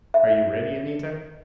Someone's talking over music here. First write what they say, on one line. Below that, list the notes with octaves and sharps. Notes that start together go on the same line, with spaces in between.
"Are you ready, Anita?"
E5